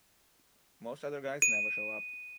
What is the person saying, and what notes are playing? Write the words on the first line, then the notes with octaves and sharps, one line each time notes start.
Most other guys never show up.
D#7